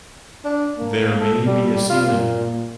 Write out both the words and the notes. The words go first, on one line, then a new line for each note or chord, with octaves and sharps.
There may be a ceiling.
D4
A#3
A4
G3
G3
F4
A#2